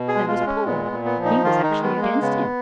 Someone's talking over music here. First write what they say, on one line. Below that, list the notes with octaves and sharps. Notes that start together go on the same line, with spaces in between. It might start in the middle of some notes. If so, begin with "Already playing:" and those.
There was Paul; he was actually against Him.
Already playing: B2
G#4
G#3
F4
G#3
C#4
A#2 B3
B3
A#2
B3
F3
D#4
D#3 F4
D#4
G#3
B3
G#3
A#3
C#3 B3